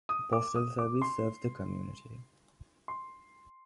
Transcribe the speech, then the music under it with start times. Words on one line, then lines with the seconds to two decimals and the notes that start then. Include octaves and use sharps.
Postal Service serves the community.
0.09 D#6
0.33 D6
0.56 D#6
0.79 D6
1.02 C6
2.88 C6